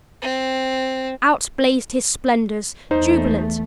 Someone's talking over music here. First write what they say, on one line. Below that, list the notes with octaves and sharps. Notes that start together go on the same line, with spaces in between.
Out blazed his splendors--jubilant.
C4
E2 A3 D#4 C5